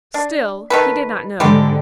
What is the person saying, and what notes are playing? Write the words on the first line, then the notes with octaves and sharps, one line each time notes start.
Still he did not know.
D4
D#3 A4 B4
G#2 D3 G3 G#3 G4